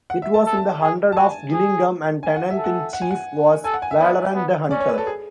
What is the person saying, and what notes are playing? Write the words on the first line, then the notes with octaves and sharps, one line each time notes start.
It was in the hundred of Gillingham and tenant-in-chief was Waleran the hunter.
F#5
E5
A5
A4
A5
G#4
A5
F#4 G#5
G#4
G#5
F#5
E5
A4
F#5
F#5
G#5
F#5
A4 G#5
F#5
G#5
E5
B3 D5
B3
C#4 D5
C#5
B4
A4
G#4